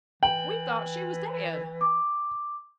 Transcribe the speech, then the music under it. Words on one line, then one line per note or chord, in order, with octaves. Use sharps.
We thought she was dead.
E3 G5 F#7
D6